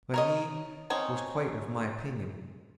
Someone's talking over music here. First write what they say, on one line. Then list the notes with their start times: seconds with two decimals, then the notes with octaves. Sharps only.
But he was quite of my opinion.
0.14 A#4 C#5 D#5
0.90 C4 C#4 D#4 C#5